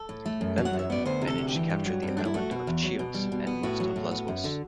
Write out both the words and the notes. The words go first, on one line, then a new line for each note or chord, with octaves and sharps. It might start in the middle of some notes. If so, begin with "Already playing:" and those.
Memnon managed to capture the island of Chios and most of Lesbos.
Already playing: A4
A2
A3
F#2
F#3
F#5
F#2
E5
B3 D5
D2 C5
C3
A4
D2
G4
E3
G2
F#3
G2
C4
A3 D4
E4
A3 F#4
B2
E2
F#3
B2
G3
B2
B3
A2 F#4
F#3
A2
B3
F#2
D3